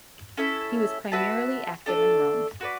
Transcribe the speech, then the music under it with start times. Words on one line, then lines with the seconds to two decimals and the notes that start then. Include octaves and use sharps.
He was primarily active in Rome.
0.37 C#4 E4 A4 E5
1.12 F#4 B4 E5 A5
1.86 A3 D4 A4
2.61 F#4 B4 D5